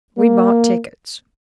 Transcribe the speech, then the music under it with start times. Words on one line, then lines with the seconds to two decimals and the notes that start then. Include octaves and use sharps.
We bought tickets.
0.18 A#3